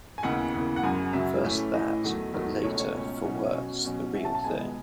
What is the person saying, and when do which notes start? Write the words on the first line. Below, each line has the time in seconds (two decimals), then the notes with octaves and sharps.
First that; but later, for worse, the real thing.
0.18 G#5
0.23 D#2 C#3 E3 B3 F#5
0.54 D#2 C#3 E3 B3
0.76 F#5
0.83 F#2 C#3 F#3 G#5
1.13 F#2 C#3 F#3 E5
1.43 A2 E3 A3 C#4
1.74 A2 E3 A3 C#4 D#5
2.04 E2 D#3 F#3 A3
2.34 E2 D#3 F#3 A3
2.63 C#2 B2 A3 C#4 C#5
2.80 C#5
2.94 C#2 B2 A3 C#4
3.23 B2 F#3 C#4
3.54 B2 F#3 C#4
3.84 B2 F#3 C#4
4.14 B2 F#3 C#4 E5
4.25 A5
4.35 A5
4.44 C#2 B2 G#3 B3 G#5